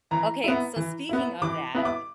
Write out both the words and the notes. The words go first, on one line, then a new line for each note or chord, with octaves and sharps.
Okay, so speaking of that,
E3 A#5
B3 E4
E3
B3 E4
E3 D6
B3 E4
D6